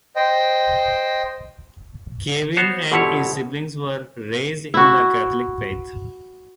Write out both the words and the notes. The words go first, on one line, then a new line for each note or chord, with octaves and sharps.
Kevin and his siblings were raised in the Catholic faith.
C5 D#5 G5
B3 F#4 C5 C#5
G1 B2 F3 E4 C#5
E4 F#4